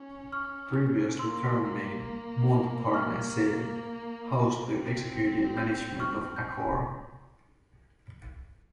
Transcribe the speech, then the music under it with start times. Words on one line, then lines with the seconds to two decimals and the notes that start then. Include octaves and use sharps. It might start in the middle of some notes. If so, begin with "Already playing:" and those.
Previously Tour Maine-Montparnasse housed the executive management of Accor.
Already playing: C#4
0.32 C#6 F6
1.19 A#3 C6 E6
2.94 C#6 F6
4.68 C4
5.57 E6 G6
6.00 C#6 F6
6.36 G6